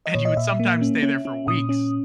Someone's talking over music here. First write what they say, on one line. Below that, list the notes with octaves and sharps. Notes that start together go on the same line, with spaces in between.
And you would sometimes stay there for weeks,
D#5
A#2 C#5
D#5
A#2 E5
A#3
C#4
C#4
C#4
A#2 D#6
C#4